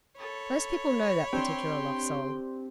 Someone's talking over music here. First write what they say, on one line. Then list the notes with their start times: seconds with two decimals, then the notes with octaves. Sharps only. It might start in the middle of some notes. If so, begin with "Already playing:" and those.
Most people know that particular love-song.
0.19 A4 C#5 B5
1.33 C4 D4 G4 G5 C6